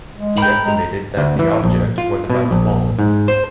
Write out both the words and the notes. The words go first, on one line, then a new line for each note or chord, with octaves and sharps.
He estimated that the object was about long.
G#3
A#4 G5 B5
G#3 A#5
D2
E3
A#1
F4
B2
A#1
G#2
C5